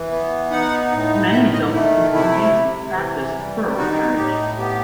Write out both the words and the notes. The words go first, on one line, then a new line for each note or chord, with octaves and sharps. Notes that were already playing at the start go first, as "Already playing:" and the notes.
Many adults in the community practice plural marriage.
Already playing: E3
B3
D#4 F#5
A2
D#3 E5
D#5
A3 E4
C3 E4
C3
E3
G3
D#4 F#4
A2 G4
B3 G4